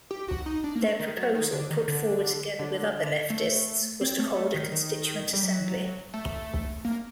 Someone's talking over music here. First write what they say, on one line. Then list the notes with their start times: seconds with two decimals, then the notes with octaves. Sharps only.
Their proposal, put forward together with other leftists, was to hold a constituent assembly.
0.11 G4
0.28 F#4
0.46 D#4
0.64 D4
0.75 A#3
0.81 A3
0.99 D#3
1.17 F#3
1.35 D#3
1.52 D3
1.70 D#3
1.88 D3
2.59 D3
3.30 A3
4.01 C4
4.18 A3
4.36 A3
4.54 D#3
4.72 D#3
5.33 G3
5.43 F#3
6.14 A3
6.85 A#3